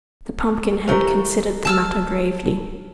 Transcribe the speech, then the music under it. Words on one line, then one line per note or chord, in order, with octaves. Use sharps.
The Pumpkinhead considered the matter gravely.
E3 A3 G4 A#4 C5
A5 E6 F6